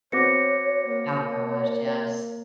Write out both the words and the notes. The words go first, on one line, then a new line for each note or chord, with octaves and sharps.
Oh, gosh, yes.
B3 C4 F#4 C#5 D6 A#6 C#7
A#3 C#5